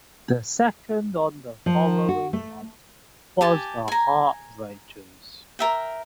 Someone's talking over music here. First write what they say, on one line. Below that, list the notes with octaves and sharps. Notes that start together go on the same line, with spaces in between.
The second on the following night was the Heartbreakers.
F3
F#4
A3
G4 G#5 A5
G#5 A#5
A#4 E5 G5